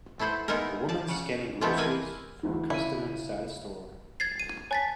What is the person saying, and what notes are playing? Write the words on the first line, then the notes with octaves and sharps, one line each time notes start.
A woman scanning groceries for a customer inside a store.
A3 B3 E4 C5 F#5
G#3 B3 D#4 E4 A#4
D5 A5
C#3 F#5
E3 F3 G#3 A3 B3 C4
A#3 E4 A#4 B4 G#5
D2 E3
C#3 E4 E5 D#7
G#6 A6 C7
D#7
C#5 G#5 A5 A6 B6